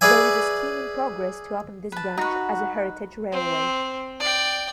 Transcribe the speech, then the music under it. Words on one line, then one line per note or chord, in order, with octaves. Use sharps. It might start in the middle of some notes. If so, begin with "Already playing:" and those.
There is a scheme in progress to open this branch as a heritage railway.
G#4 B4 D5 E5 G#5
B4 A5
D#4 F#4 B4
C4
D5 G5